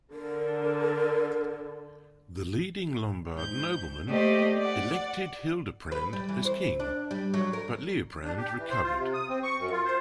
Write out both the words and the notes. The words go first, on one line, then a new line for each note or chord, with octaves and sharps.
The leading Lombard noblemen elected Hildeprand as king, but Liutprand recovered.
D3 A#4
G#2 G6
A3 A#3 G4 C5 D5 D#5
D5 F#5
B4
G3
E3
C4
D4
G3
F#3
A#4
D4
G4
E3
C5
F4
C3
D#6
C4
C#6
F#2
F4
C5